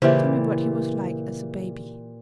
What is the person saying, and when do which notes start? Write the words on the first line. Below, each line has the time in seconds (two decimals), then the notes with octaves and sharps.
Tell me what he was like as a baby.'
0.02 A#2 C#3 E3 G4 C5 E5